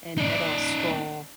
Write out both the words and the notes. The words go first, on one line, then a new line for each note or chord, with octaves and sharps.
in middle school.
D#4 D5